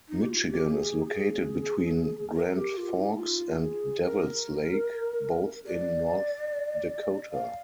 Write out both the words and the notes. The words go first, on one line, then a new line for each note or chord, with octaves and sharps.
Michigan is located between Grand Forks and Devils Lake, both in North Dakota.
D#4
G4
F4
G4
G#4
G#4
A#4
G4
F4
D#4
F4
G#4
A#4
D5
F5